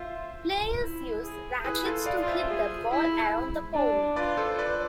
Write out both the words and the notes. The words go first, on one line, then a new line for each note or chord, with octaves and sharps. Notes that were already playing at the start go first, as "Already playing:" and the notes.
Players use racquets to hit the ball around the pole.
Already playing: F4 C5 E5
E4
G#4
E4 G#4 B4
F4 A4
D5 F5
F4
C5 E5
G#4
E4
D4
F4 B4 D5
A4 C5
B4 D5